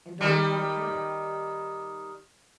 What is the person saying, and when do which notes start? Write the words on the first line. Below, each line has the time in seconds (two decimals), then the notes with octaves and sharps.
"And on what account?"
0.21 D#3 G3